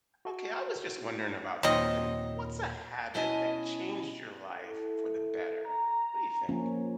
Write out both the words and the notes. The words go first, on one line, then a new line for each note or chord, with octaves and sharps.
Okay, I was just wondering about something. What's a habit that changed your life for the better? What do you think?
F#4
D#2 A#2 F#3 C4 D#4 F4 D#5
B2 C#4 E4 D#5 G#5 A5
E4 A4
A#5
F3 A#3 C#4